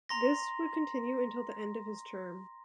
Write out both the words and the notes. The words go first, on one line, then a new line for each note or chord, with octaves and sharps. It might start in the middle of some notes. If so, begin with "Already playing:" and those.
This would continue until the end of his term.
A#5 C6 A#6